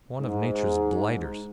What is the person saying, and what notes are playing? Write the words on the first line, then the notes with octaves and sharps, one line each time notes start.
One of Nature's blighters.
G#2 D#4
D#4